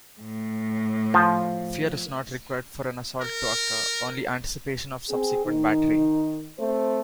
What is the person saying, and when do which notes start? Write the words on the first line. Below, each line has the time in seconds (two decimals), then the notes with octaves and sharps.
Fear is not required for an assault to occur, only anticipation of subsequent battery.
0.21 A2
1.14 F3
3.21 A#4
5.10 C4 G#4
5.45 D#3 D#4
6.59 A3 C4 C5